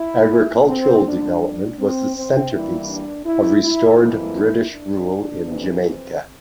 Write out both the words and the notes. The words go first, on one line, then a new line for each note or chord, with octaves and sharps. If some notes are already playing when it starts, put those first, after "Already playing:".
Agricultural development was the centrepiece of restored British rule in Jamaica.
Already playing: E4
C4
F2 D3 G3 D4
D4
C4
C4
G2 E3 G3 A#3 E4
D4
E4
E4
F2 E3 A#3 E4
D4
F2 C3 E3
C4